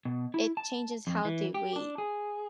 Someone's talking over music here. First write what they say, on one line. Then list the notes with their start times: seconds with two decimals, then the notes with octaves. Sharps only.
it changes how they wait,
0.05 B2
0.34 E4
0.57 A5
1.07 F2
1.25 E3
1.54 G4
1.76 D4
1.98 G#4